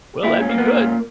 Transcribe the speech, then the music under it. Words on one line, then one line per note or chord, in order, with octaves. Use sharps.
Well, that'd be good.
A#2 E4
C#4
A#3
B3
A#2 C#4